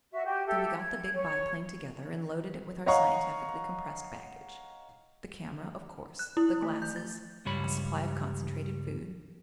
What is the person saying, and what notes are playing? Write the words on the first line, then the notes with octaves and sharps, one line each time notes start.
So we got the big biplane together and loaded it with our scientifically compressed baggage: the camera, of course; the glasses; a supply of concentrated food.
F#4 E5
F#4 G4
G4 A4 E5
G#6
C#5
C#5 D#5 F5 F#5 A#5 C#6
F#6
E4
A3
G6
A6
C#2 G2 G3 C#5 B5